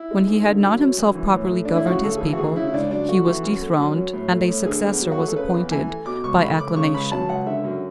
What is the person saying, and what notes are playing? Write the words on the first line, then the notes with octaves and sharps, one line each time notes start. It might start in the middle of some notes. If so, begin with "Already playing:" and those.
When he had not himself properly governed his people, he was dethroned, and a successor was appointed by acclamation.
Already playing: E4
G#3
G#2
D3
F#2
F#3
F#2
E3
A2
A3
A2 D4
E4
C#3 F#4
D2 A4
G#4
E3 A4
F#4
D2 G#4
C#3 E4
E4
C#2 D4
F#3 D4
A3 F#4
E3
F#2
A3
F#2
F#3
A2
A3
A2
D3 G#4
E2
F#3
F#4
A3 G#4
A4
C#3 B4
E2
E3 G#5
A3
B2 D6
C#2 C#6
A3 B5
C#2 D6
C#3 C#6
C#2 B5
F#3 A5
C#2 F#5
D3 E5
F#2